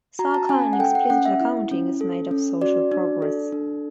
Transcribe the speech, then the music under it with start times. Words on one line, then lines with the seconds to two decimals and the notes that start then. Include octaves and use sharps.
Sarkar an explicit accounting is made of social progress.
0.19 F#4 A#5
0.34 A5
0.49 C#4 G#5
0.73 F#5
0.79 A4 G5
0.95 F#5
1.10 C#4 F#5
1.25 E5
1.41 E4
1.71 C#4
2.01 A4
2.31 C#4
2.61 F#4 D5
2.91 D4
3.22 A4
3.52 D4